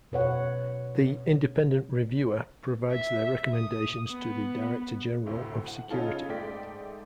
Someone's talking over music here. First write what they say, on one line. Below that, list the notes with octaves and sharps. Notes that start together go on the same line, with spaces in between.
The Independent Reviewer provides their recommendations to the Director-General of Security.
B2 B4 C#5 F#5
E5
D#6
B3
D2 A2 C3
F#5
C#3 C#4 D#4 F4 A4
G#2 A3 D5 G5 B6